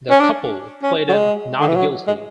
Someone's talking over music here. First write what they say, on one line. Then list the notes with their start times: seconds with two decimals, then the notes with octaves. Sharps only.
The couple pleaded not guilty.
0.11 C#4
0.20 D4
0.83 C#4
1.09 F#3
1.13 G#3
1.60 D3
1.68 E3
1.76 F#3
2.07 G#3